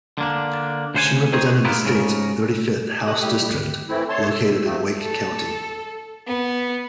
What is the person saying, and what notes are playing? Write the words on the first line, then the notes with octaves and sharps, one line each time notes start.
She represented the state's thirty-fifth House district, located in Wake County.
D3 A#3 D4
D2 C#3 C5 F#5 G#5
C4 D#4 G#4 C5 C#5
B3 C4 E4 F4 G4 A#4
G#2 C#3 A#4
G4 A4 D#5 D#6 F#6
G3 E4 G4
G#1 D2
E3 A3 C4 E4
A3 C#5 A5 C6
E6
C3 F3 A3 C4
A4
B3